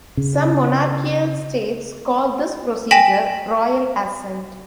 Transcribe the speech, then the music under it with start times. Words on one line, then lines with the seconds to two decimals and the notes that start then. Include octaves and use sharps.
Some monarchical states call this procedure "royal assent".
0.17 C#3
2.91 G5 G#5 A#6 B6 E7 F#7